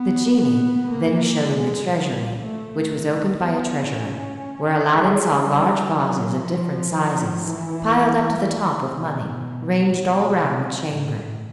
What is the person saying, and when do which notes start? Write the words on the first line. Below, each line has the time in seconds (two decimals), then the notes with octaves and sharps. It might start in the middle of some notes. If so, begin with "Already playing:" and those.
The genie then showed him the treasury, which was opened by a treasurer, where Aladdin saw large vases of different sizes, piled up to the top with money, ranged all round the chamber.
Already playing: B3
0.39 B3
0.89 A#3
1.40 G#3
1.89 G3
2.40 A3
3.40 B3
3.90 C#4
4.90 G#3
5.41 G3
5.90 F#3
6.41 F3
7.41 E3
8.91 B2
9.92 B2
10.42 C3
10.92 A2